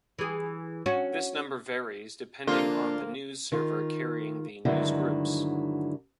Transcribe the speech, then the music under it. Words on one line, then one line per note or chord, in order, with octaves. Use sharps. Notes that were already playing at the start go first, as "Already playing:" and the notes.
This number varies, depending on the news server carrying the newsgroups.
E3 G#4
C#4 F#4
D3 F3 A#3 D4 F4
D#3 F4
G2 D3 D#3 F#3 G#3 E4